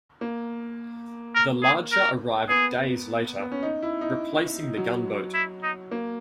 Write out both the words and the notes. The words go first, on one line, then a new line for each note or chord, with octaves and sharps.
The larger arrived days later, replacing the gunboat.
A#3
A#4
G#4
A#4
B3 G#4
B3
C#4
D#4
E4
D#4
F#3
E4
D#4
A#3